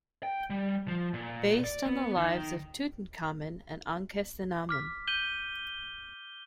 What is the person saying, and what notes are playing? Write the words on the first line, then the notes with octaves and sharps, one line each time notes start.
Based on the lives of Tutankhamun and Ankhesenamun.
G5
G3
F3
A#2
D5
B3
D#3
D6 F6 B6
G6 D#7 F#7 G7